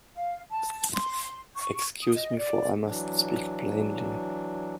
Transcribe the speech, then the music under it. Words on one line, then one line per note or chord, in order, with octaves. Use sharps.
Excuse me, for I must speak plainly.
F5
A5
C6
C#6
D#6
D#5
D5
E3 F#3 D4